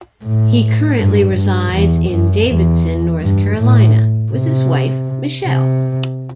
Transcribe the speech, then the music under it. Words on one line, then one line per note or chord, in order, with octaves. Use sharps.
He currently resides in Davidson, North Carolina with his wife Michelle.
A2
G2
G2
E2
F#2
E2
G2
A2
C3
C3